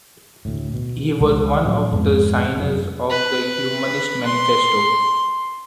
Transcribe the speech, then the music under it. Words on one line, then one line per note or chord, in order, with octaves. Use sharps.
He was one of the signers of the Humanist Manifesto.
D2 A2
B2
C#2 F3 G3
A2 F3 F#3
F2 G#2 B3
F1 F#2
B4
C6